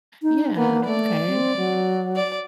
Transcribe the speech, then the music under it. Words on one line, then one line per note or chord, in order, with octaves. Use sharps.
Yeah, okay,
D#4
A#3 B3
A3 D5
C4
F#3
D5